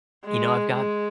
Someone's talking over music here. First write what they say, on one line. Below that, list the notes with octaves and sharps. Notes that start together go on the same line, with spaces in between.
you know, I've got
G#3
G#3